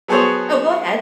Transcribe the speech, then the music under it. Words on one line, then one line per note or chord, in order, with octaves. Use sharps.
Oh, go ahead.
F#3 B3 G#4 A4 C5 C#5